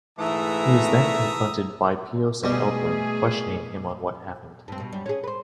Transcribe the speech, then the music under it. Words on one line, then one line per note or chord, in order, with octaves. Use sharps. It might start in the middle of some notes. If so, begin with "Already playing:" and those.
He is then confronted by Pios and Elwyn, questioning him on what happened.
G#2 E3 A3 E5 A#5 D#6
B2 G3 A3 G#4
G2 C4
B2
F#2 G3
C#4 F#4 G#4
B4 C5